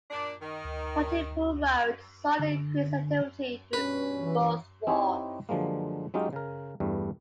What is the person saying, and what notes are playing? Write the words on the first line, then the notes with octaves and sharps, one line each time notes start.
Pontypool Road saw an increased activity during both wars.
A#2 D4
D#3
D2
D3
G2 B2 C#4 B4
E3
C4 D#4 E4 G4 C5 C#5
D3 F3 F#3 G#3 A#3
F#3 G#3 C#4 D#4 F4 G4
C#3 A#4
E2 G2 G3 A3